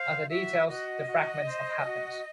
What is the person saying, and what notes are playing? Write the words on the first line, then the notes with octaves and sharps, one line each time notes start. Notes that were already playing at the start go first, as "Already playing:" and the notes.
Other details, the fragments of happiness.
Already playing: C5 F5
F#4 E5
F#4 D#5
F#4
C5
F#4